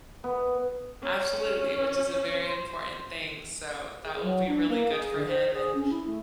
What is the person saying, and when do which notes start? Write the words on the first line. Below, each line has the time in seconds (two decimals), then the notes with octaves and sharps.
Absolutely, which is a very important thing, so, that will be really good for him and
0.24 B3
1.02 C#4
2.43 C5
4.04 G#4
4.21 F#3
4.47 D4
4.68 A#3
4.89 G#4
5.15 D3
5.28 C5
5.53 G#4
5.75 C#4
5.89 E4
6.06 A3